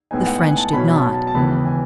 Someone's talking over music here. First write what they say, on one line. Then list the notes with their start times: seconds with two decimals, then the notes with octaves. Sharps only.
The French did not.
0.11 A2 G#3 B3 D#4 G#5
0.26 F#5
0.42 G#5
0.57 A5
0.73 B2 F#3 C#4 B5
0.94 A5
1.14 A5
1.27 A5
1.35 D#2 C#3 E3 G#3 B3 B5
1.65 G#5